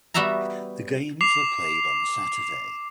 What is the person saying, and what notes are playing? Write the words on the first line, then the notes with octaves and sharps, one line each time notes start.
The games are played on Saturday.
G3 B3 F#4 G4 E5 A#5
D6 C7 F7